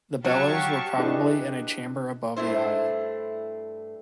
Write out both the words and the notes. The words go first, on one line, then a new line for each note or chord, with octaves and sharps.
The bellows were probably in a chamber above the aisle.
F#3 G4 F5 A5 C#6
D4 E4 G4 G#4 B4 D#5
G2 A3 E4 C5